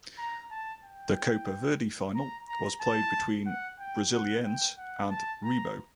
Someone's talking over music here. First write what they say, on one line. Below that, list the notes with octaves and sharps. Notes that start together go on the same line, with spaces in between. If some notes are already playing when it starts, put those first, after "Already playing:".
The Copa Verde final was played between Brasiliense and Remo.
A#5
A5
G5
A#5
A#5
A5
F#5
G5
F#5
G5
F#5
A5
A#5